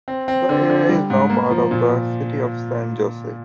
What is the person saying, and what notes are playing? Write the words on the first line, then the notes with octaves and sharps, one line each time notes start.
The area is now part of the city of San Jose.
C4
C4
D3
D3
G3
G#2
A#3
F3
A#2